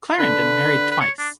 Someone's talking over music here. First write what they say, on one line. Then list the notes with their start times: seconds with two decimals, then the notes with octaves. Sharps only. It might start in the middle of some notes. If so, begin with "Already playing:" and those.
Clarendon married twice.
0.19 D3 B4
0.91 B4
1.01 C#5
1.18 D4